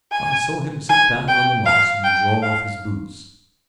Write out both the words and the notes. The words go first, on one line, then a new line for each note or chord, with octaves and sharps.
I saw him sit down on the moss and draw off his boots.
G#5
G#5
G5
F5
G5
F5